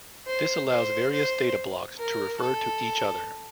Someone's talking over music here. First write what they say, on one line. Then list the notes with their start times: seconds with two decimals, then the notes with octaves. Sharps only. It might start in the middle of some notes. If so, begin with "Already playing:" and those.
This allows various data blocks to refer to each other.
0.27 C5
0.69 C5
1.13 C5
1.98 A#4
2.41 A4